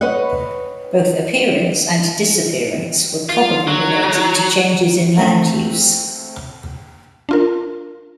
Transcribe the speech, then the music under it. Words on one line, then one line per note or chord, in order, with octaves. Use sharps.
Both appearance and disappearance were probably related to changes in land use.
B4 C#5 D#5 F#5
F4
F#3
A3 C4
D4 F4 A#4